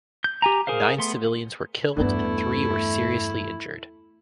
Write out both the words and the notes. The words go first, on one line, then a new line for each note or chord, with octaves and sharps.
Nine civilians were killed and three were seriously injured.
G6
G4 G#5 A#5
G#4 A#4 C5 F5
A3 B3 C6
E2 G2 A3 B3 D4 E4